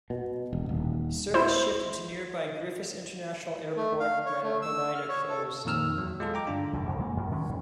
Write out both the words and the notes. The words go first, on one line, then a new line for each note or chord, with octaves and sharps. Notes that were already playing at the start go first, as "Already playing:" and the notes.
Service shifted to nearby Griffiss International Airport when Oneida closed.
B2
E1
D#1
E4 C5
A3
F5
C#5
A3
E6
F6
C#5
A4
F2 A#2 D#3 E6 F6
E2 F#3
G#3 F4 A4
G5 A#5 D6
G2 D3 D4 F4
C#2 F#2 A2
C2 F2
F2 G#3 A#3
F#2
D#3 G3 G#3 C#4
F2 A#2